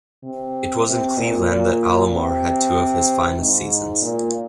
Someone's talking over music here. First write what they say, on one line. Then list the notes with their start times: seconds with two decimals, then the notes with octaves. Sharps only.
It was in Cleveland that Alomar had two of his finest seasons.
0.23 C3
0.87 C3
1.18 A#2
1.49 A#2
2.12 C3
3.38 G#2
4.01 A#2